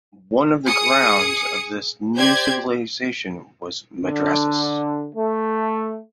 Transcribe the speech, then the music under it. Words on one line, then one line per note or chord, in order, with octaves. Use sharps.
One of the grounds of this new civilization was madrasas.
G#4 D#6 C#7
G4 C5 D5 G6 G#6
D3
A3